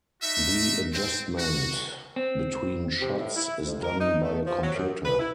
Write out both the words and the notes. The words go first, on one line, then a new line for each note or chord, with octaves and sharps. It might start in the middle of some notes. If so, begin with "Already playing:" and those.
The adjustment between shots is done by a computer.
D#4 F#4 E5
C4
F#4
C4
C3
A2
E4
F2
A#4
D#4
A3
F3
F#3
F#2
B4
E4